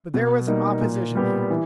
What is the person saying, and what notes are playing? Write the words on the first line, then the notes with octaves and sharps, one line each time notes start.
But there was an opposition here.
B2
G3 A#3 D#4
A#2
G3 B3 G4
E3